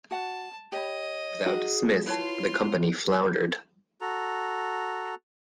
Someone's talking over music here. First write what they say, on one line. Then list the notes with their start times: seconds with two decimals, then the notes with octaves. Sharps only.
Without Smith, the company floundered.
0.11 F#4 F#5 A5
0.72 G4 C#5 D#5 B5
1.46 D#4 F#4 G#4
2.06 E4 F4 B4 C#5 A5 C6
4.01 F#4 A4 A#5